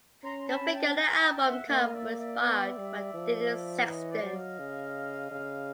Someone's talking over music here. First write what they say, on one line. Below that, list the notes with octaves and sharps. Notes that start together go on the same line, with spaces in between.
The figure on the album cover was inspired by Denise Sexton.
C#4 A#5 C6
A5 B5
G5 A5
G#5 A#5
G5 A5
E5 F#5
A#3 D#5 F5
D5 E5
D5 E5
B3
G3
F3
E3 C#5 D#5
C5 D5
F#3
D#5 F5
C#3
C#3